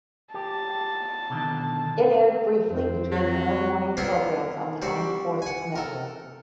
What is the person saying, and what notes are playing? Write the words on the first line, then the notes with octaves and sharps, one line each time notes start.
It aired briefly between early morning programs on the Armed Forces Network.
G4 A5
B2 D3 D#3
F2 C4
F#3
B3 C4 D4 E4 F4 A#4
G3 C4 F#4 D5
F#5 G#5
A4 A#4